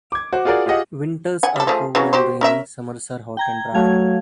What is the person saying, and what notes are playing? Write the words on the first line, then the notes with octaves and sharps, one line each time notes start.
Winters are cool and rainy, summers are hot and dry.
D6 G#6
F#4 C5
F4 F#4 G#4 A#4 D5
F4 G4 G#4 D#5 F#5
F#5 G#5
G3 A4
F3 A3 G#4
C#3 E3 F#3
F#4 G4 C5
C#4 A#4 E5
G5 A#5 G#6
F#3 A3 F5 G#6